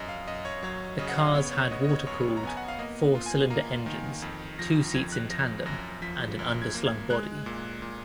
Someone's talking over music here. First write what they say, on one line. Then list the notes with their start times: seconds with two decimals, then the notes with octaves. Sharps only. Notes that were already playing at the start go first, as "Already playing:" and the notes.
The cars had water-cooled, four-cylinder engines, two seats in tandem, and an underslung body.
Already playing: F#2 D#5
0.09 F5
0.28 F#2 D#5
0.45 C#5
0.63 F#3 C#5
0.99 C#3 D#5
1.09 F#5
1.18 F5
1.26 D#5
1.35 B3 C#5
1.53 C#5
1.71 B3 D#5
1.84 D#5
1.89 C#5
2.07 F#2 C#5
2.37 A#5
2.43 B3 G#5
2.57 F#5
2.68 F5
2.79 A#3 D#5
3.15 F4
3.26 G#5
3.50 A#3 A#5
3.86 D#3
4.22 F2
4.59 F3 A#6
4.90 A#6
4.95 F2 G#6
5.12 F#6
5.30 F3 A#6
5.66 F#2 A#6
6.02 F3 B6
6.39 F#2
6.62 G#6
6.75 A#3
6.86 G#6
7.10 G#3 F#6
7.46 A#2
7.82 A#2